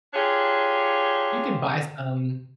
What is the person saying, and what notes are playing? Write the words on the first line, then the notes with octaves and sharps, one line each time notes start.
you can buy some
D4 F4 G4 G#4 C#5